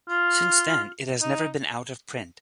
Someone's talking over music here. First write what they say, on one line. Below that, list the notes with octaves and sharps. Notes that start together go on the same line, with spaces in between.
Since then, it has never been out of print.
F4
D#4